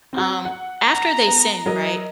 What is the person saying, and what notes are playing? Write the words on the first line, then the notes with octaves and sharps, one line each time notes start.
um, after they sinned, right?
C4 F#4
F#5
A#5
B3
F#3 A#4 D#5